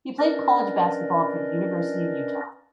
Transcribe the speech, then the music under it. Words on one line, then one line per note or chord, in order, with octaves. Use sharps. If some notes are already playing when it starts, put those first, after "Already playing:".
He played college basketball for the University of Utah.
C#4 D4 A#4 B4 D5 D#5